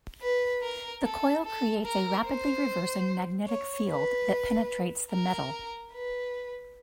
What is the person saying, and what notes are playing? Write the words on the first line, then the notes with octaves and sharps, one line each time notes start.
The coil creates a rapidly reversing magnetic field that penetrates the metal.
B4
A#4
A4
A4
A#4
C5
C#5
B4
A#4
B4